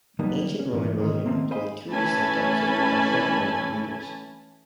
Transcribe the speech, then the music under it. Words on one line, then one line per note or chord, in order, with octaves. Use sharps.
Ancient Roman religion employed two distinct types of professional omen readers.
D3 F#3 G3 A#3 B3 D#4
C#4
G#2 D3 E3
G#2 D#3 G#3 C#4
D#3 F3 A3 A#3 C4
C5 D#5 F5 G#5 B5 C6
E3 A3 C#4 G#5 A5 B5